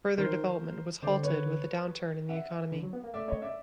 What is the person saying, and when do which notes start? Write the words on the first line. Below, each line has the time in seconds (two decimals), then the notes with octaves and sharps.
Further development was halted with the downturn in the economy.
0.18 D#3 A#4 C5
1.02 D3 C5 D5
1.23 B4 C#5
2.29 E5 F#5
2.72 D3
2.83 F#3
2.93 B3
3.04 A#3
3.14 A3 D5 E5
3.28 C#5 D#5
3.42 D5 E5